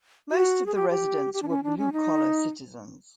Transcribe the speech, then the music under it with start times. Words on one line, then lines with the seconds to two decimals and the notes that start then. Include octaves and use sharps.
Most of the residents were blue collar citizens.
0.31 F#4
0.66 G#4
0.75 G4
0.90 G4
1.34 G4
1.43 D4
1.49 C#4
1.63 D4
1.78 C#4
1.93 D#4